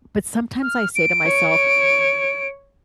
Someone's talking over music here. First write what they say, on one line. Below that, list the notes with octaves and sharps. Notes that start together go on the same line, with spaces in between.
but sometimes I say to myself,
F6
D7
C#5